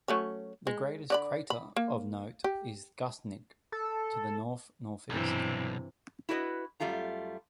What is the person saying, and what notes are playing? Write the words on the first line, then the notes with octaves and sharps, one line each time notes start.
The nearest crater of note is Guthnick to the north-northeast.
F#3 A3 C#4
G#3
D3 D5 B5
B5
A#3
G4
A4
B1 G2 C3 E3
E4 F#4 B4 C#5 D#5
F#2 G3 A3 F4 A#5